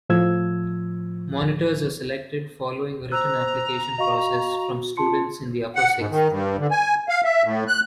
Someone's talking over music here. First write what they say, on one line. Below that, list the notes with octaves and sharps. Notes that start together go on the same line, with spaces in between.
Monitors are selected, following a written application process, from students in the Upper Sixth.
A2 F3 E6 G#6
C5 A#5 E6 F#6
F#4 D#5 F5 C#6
F4 A5 C6 C#7
F#5
G#2
D#3
G2
D3
G#5
F5
E5
A2
F#6